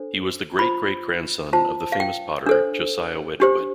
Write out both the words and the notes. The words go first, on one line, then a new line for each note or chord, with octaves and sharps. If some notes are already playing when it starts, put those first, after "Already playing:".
He was the great-great-grandson of the famous potter Josiah Wedgwood.
Already playing: D4 A4 C5
F4 C5 B5
F4 C5 A5
F5
G5
D4 A4 C5
D4 G4 C5